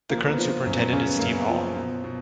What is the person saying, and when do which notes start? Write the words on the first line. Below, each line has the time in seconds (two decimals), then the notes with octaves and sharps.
The current superintendent is Steve Hall.
0.10 F3 A#3
0.26 A#3
0.31 B3
0.38 F3
0.66 F#2
0.73 B3
0.93 C#3 C#4
1.06 B3
1.19 F#2 A#3
1.33 B3
1.49 F3
1.76 B2
2.04 B2